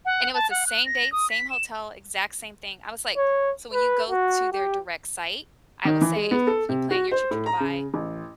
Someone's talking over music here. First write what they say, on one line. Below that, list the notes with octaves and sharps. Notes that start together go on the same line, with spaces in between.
And it was the same dates, same hotel, exact same thing. I was like so when you go to their direct site, I will say if you plan your trip to Dubai,
F#5
A5
F#5
F#6
A#6
D#6
B6
E7
C#5
B4
F#4
G4
D#3
E3
G#3
B3
A4
C3
F#4
C5
A2
A#5
C#3
A1